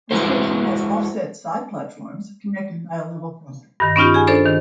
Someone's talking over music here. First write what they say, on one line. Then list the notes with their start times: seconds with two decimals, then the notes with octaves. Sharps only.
The station has offset side platforms connected by a level crossing.
0.11 G#3 A#3 E4 F#4 B4 C5
3.80 G2 D#3
3.96 B3 C#4 D#4 F4 G4
4.14 G#4 G#5
4.27 D4 A4 C5 D5
4.46 D#3